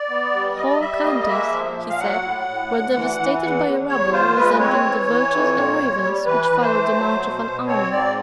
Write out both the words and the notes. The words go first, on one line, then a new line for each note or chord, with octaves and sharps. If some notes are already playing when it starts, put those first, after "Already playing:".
Whole counties, he said, were devastated by a rabble resembling the vultures and ravens which follow the march of an army.
Already playing: D5
B3
G3
G3 D#5
D5
D#5
G3 E5
A#3 D#5
D#5
G#3 E5
F3
A#2
F5
F#3 F#5
A2
A2
D2
E3
E3
E2 F#5
E2
E2 C#5
F4 C5
G#3 B4
C4 C#5
E3
E3
F2
A#2
A#2
G3
E3 B4
E3
C5
A3
F#3
B2
B2
C4 C#5
G#2 D5